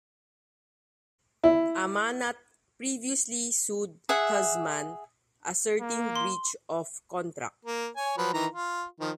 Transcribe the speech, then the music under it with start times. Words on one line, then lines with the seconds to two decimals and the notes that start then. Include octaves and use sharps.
Amanat previously sued Tuzman asserting breach of contract.
1.44 E4
4.09 G#4 E5 F#5
5.81 A#3
6.16 C6
7.65 A#3
7.96 C#5 G#5
8.18 F3 F#3 B4
8.33 D#3 E3 A#5
8.53 F4
9.00 D#3 F3